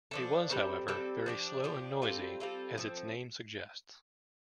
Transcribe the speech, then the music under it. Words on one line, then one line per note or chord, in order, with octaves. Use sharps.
It was, however, very slow and noisy, as its name suggests.
F3 D4 A4
G3 C4 A4
G3 C4 A4
F3 D4 G4
F3 D4 G4
G3 C4 F4 A4
G3 C4 F4 A4
F3 C4 A4